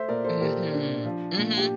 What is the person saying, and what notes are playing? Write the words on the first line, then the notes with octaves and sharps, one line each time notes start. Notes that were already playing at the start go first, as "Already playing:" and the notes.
Mhm, mhm.
Already playing: A3 C5 E5
A#2 A#4 D5
A4 C5
A#2 G4 A#4
D4
F3
A#2
G4